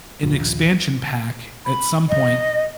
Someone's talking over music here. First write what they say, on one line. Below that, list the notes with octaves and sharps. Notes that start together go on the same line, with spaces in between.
an expansion pack at some point
A#1 D#2
B5
D#5